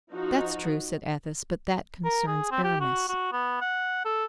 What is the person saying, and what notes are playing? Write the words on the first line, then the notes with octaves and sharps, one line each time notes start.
"That's true," said Athos; "but that concerns Aramis."
F3 D#4 F#4
A#4
G#4
C4
G4
F#4
F#4
B3
F#5
A4